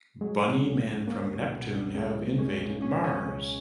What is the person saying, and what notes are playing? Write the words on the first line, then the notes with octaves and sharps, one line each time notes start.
Bunny men from Neptune have invaded Mars!
F#3 G#3
C#4
C#2
C#2
A#3 C#4
C#2
B2
C#2
C#2 G#3
C#2
A#3
G#3 C#4
C#2
C#4
C#4
C#2